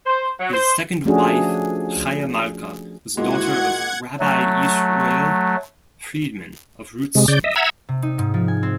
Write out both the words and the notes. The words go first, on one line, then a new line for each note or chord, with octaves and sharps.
His second wife Chaya Malka was a daughter of Rabbi Yisroel Friedman of Ruzhin.
C5
F#3
C5
F3 A3 C#4 D4 F#4 G#4
A#2 D#3 E3 G#3 E4 F#4 F#5 G#6
F#3 A3
C3 G#3
C#3 D5 G6
D#5 E5
E5 F#5 A#5 E6 G#6
C3
D#4
G#2
F3
G#5
C4